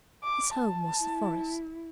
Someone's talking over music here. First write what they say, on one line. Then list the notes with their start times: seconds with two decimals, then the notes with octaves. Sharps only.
His home was the forest.
0.23 D6
0.54 A5
0.99 E4